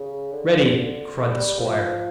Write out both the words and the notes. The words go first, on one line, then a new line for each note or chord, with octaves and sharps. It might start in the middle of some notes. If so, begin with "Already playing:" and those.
"Ready!" cried the squire.
Already playing: C#3
D3
G3
F3